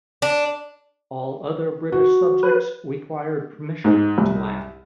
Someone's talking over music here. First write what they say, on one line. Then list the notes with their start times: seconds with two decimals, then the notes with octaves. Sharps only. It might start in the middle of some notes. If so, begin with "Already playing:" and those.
All other British subjects required permission to land.
0.22 D4
1.92 F#4
2.43 B4
3.84 G#2
4.18 C2